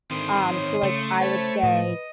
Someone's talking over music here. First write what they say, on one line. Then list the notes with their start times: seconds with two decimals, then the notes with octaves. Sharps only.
Um, so like, I would say
0.11 D3 D#3 C4 C6 D#6
0.51 C#5
0.83 C#3 A3
1.20 C5 C#5 A5 B5
1.63 A2 F3 B4 D#5